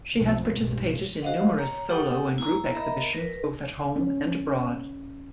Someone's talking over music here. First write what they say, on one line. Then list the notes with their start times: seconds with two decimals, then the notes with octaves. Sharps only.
She has participated in numerous solo and group exhibitions both at home and abroad.
0.16 B1 F2
0.57 B1 G2
1.22 F#4 C5 D#5 F5 F#5
1.58 C#5 A#5
1.90 G4 A4 F#5 G5 D#6
2.38 E4 A#5
2.75 A#4 D#5 E5 A#5 B5
3.13 A#4 B4
3.96 C#4